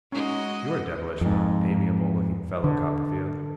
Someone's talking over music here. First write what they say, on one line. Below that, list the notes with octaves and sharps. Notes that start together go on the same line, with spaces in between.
You're a devilish amiable-looking fellow, Copperfield.
G#3 C#4 D#4 F#4 D#5
F2 G#2
D3